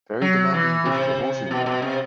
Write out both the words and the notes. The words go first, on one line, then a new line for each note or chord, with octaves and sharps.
Very demanding bit of emoting there.
F#3
E3
C3
B2
B2
C3